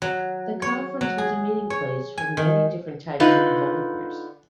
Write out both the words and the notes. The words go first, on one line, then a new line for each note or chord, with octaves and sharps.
The conference was a meeting place for many different types of developers.
F#3
C#5
F#3
G#4
C#5
G#5
D#3
D3 D#4 F4 B4